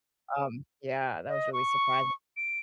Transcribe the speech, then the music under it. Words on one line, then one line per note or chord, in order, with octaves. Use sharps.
um, yeah, that was really surprising.
D#5
C#6
D7